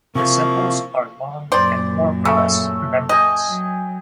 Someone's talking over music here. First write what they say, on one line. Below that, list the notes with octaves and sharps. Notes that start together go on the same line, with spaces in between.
The sepals are long and more or less membranous.
C3 F3 A#3 E4 C#6
F#2 A#2 C5 D5
C#3 A3 E6
D#5 G5 G#5
F#3